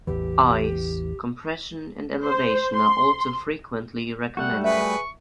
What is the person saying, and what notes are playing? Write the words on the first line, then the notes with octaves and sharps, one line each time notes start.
Ice, compression and elevation are also frequently recommended.
A1 E2 E3 G4
C5
C6
G3 A3 F#4 F#5
G#4 B4 E5 C#6